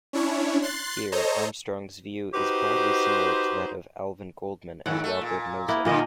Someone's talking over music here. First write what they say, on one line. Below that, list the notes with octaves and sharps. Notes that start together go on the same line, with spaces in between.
Here, Armstrong's view is broadly similar to that of Alvin Goldman and Robert Nozick.
C#4 D4 E4 C#5
C6 F#6 A6 C7
A4 C5 C#5 D#5 A#5
D#4 F#4 G4 B4 C5
G#2 D#3 F#5
A3
A#2
A#3 B3 E4
G2 A#2 D3 A#3 D#5